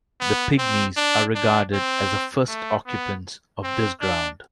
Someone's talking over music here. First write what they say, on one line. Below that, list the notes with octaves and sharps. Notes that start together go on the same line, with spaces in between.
The Pygmies are regarded as the first occupants of this ground.
B3
C4
D4
D4
C4
A3
B3
C4
D4